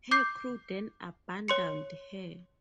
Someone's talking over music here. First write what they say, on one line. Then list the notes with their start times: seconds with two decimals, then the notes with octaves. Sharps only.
Her crew then abandoned her.
0.11 D6 G6 C7
1.48 C#5 C6 C#7